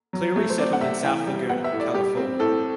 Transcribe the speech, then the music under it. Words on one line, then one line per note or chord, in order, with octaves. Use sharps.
Cleary settled in South Laguna, California.
F#3
A3
C5
C4 D5
F#5
C3 E5
E3 G5
G3
B3 F#5
E5
A2
D5
G3 G4
C4
A2 A4